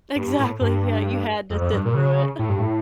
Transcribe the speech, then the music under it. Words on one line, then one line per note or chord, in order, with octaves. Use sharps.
Exactly, yeah, you had to sit through it.
G2
G2
A2
G2
F2
F2
G2
A#2
C#3
A2
G2
A2